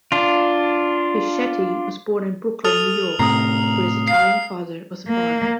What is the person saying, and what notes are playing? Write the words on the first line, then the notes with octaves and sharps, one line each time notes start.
Fischetti was born in Brooklyn, New York, where his Italian father was a barber.
D4 F4
A4 D#6 F6 F7
A2 C3 A#5 D#6 C7
F5 C7
A#3